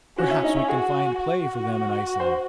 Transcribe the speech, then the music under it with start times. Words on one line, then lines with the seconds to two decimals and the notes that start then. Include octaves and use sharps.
"Perhaps we can find play for them in Iceland."
0.18 C#4 F#4
0.31 E4
0.43 D#4
0.56 E4
0.69 F#4 G#4
1.19 F#4
2.20 C5